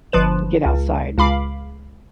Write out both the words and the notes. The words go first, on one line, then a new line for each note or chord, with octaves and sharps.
get outside and,
G1 F3 B4 E7
C#2
C#2 F5 B5 D6